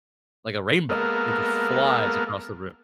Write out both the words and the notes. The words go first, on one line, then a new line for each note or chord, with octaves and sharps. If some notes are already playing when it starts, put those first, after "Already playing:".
like a rainbow, it just flies across the room.
G#3 A#3 B3 A4 A#4